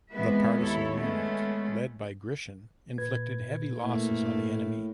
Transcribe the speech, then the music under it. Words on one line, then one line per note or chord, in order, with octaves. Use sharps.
The partisan unit led by Grishin inflicted heavy losses on the enemy.
E3 G#3 B3 C4 B4 E5
D#2 E4 A4 C#5
G#3 A3 B3 C#4
A#2 B4 G#6
A2 A3 A#3